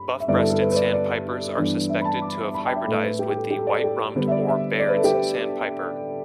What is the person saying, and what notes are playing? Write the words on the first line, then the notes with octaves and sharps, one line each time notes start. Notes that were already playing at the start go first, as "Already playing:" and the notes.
Buff-breasted sandpipers are suspected to have hybridized with the white-rumped or Baird's sandpiper.
Already playing: G2 B5
E5
G2 D3 B3 E4 D5
A4
A4
B4
B4
D5
D5
G2 E3 B3 D4
E5
B5
A5
D6
B5
G5
E5
A2 A3 E4 A4
B4
G4
G4
A4
G4
A4
D5
A4
G4
D3 G3 B3 D4 B4
E5
D5
E5
D5
B4
A4
G4
B4